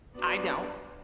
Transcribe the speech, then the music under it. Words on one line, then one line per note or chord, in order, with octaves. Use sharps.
I don't.
B3 D4 F#4 B4 D5